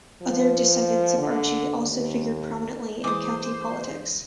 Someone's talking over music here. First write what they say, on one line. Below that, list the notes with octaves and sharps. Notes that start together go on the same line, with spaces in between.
Other descendants of Archie also figured prominently in county politics.
F3
D3
D#2
E3 G#3 C5 D6 D#6